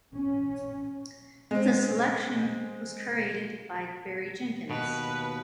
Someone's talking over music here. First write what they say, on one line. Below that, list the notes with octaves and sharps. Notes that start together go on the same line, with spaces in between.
The selection was curated by Barry Jenkins.
C#4
G#3 C4
D#2 B2 B4